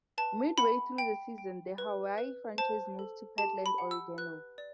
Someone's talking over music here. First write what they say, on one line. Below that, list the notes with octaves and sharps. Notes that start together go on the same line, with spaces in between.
Midway through the season, the Hawaii franchise moved to Portland, Oregon.
B4 A5
F#5 B5
G5
G5
B4
B4
C5 A5
A4
G4 A5
B5
F#5
E6
B4 F#6
D5